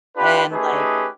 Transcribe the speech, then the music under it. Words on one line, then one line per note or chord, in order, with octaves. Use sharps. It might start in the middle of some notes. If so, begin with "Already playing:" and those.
and, like
D4 F4 G4 B4
A3 C#4 D#4 G4 G#4 B4